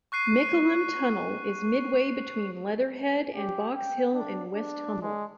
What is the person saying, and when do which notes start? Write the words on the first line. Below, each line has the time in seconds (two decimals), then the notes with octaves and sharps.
Mickleham Tunnel is midway between Leatherhead and Box Hill and Westhumble.
0.12 C#6 F#6 C7 D#7
3.34 G4
3.75 G5
4.14 D4
4.54 D4
5.02 G#3